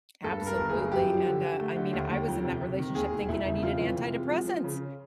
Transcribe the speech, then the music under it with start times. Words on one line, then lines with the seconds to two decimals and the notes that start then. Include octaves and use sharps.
Absolutely, and, uh I mean, I was in that relationship thinking I needed antidepressants,
0.24 G2 A4
0.41 G2
0.47 A#4
0.58 G1
0.69 G2 G#4
0.92 F#2 G4
1.09 F3
1.26 D3
1.42 D3
1.59 A3
1.76 D3
1.93 D#2
2.10 D#2
2.27 F2
2.44 C3
2.61 C3
2.78 D#3
2.95 D#2 G#4
3.12 E1
3.29 E1 E4
3.46 C#3
3.63 F2 F4
3.80 E3
3.96 C3
4.14 G#3
4.30 F3
4.48 F3
4.64 C#3